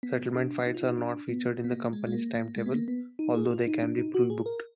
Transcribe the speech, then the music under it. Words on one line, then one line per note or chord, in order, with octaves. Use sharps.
Settlement flights are not featured in the company's timetable, although they can be pre-booked.
B3
D4
D#4
F4
D#4
D4
B3
B3
A#3
G#3
G#3
A#3
A#3
G#3
B3
A#3
B3
D#4
G#4
F4
D#4
D4
D#4
F#4
G#4
A#4